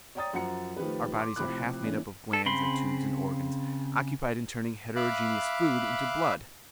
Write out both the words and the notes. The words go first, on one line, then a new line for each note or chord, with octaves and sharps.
Our bodies are half made up of glands and tubes and organs, occupied in turning heterogeneous food into blood.
C#5 D5 G5 A#5 D#6 A6
F#2 F3 F#5 A#5 C#7
D#3 F3 A3 G4 B4
C6 D6
A2 C3 F3 B5 D6 F#6
E3 A#3 C#4 D4
A4
C#3 C4 B5 C6
E5 F5 B5 D6 F#6